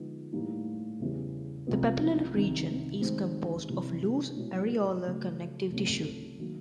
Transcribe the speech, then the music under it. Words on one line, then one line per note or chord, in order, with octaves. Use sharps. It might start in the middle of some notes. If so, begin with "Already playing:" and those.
The papillary region is composed of loose areolar connective tissue.
Already playing: D3 F3 G#3 B3 D#4
A2 E3 G3 A#3 D#4
E2 C#3 E3 G3
C2 C3 F3 G#3 B3
C2 C3 D#3
D#3 G#3 C4
C3 E3 G3
B2 G#3 C#4 E4
C#3 F#3 A3
C2 C3 F3 A3 C#4
D#3 F#3 A#3